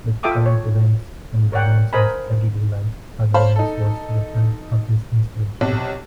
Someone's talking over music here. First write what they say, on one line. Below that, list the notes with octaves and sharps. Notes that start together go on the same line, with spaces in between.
The current events and the nonsense of everyday life are the main sources of his inspiration.
F4 A4 E5 G5 D6 D#6
C#5
A#4 C#5 D5 F#5 G5
A#4 C5 D#5 G#5 B5
C5 C#5 F5 A5 B5
D#4 A4
B1 C3